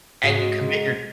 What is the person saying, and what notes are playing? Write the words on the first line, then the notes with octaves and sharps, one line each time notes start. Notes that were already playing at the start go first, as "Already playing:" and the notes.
and you commit your
G#2 G#3 F#4